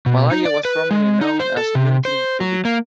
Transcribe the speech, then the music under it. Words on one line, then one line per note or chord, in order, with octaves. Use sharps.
Malaya was formerly known as "Munting Tubig".
B2
D#4
D5
B4
G#3
D#4
C5
A4
C3
C5
F#3
A#3